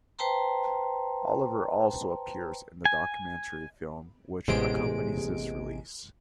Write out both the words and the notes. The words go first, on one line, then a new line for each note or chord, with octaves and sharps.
Oliver also appears in the documentary film which accompanies this release.
B4 C5 G5 A5 A#5 C6
G#5
A1 E2 C3 G#3 D7